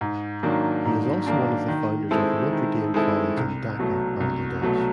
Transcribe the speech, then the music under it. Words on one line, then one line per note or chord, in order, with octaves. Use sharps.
He is also one of the founders of Notre Dame College in Dhaka, Bangladesh.
G#2
D#3 F#3 A#3 D4
G#2
D#3 F#3 A#3 D4
D#3
G#3 C4 E4 A4
D#3
G#3 C4 E4 A4
C2
B2 F#3 A3
C2
B2 F#3 A3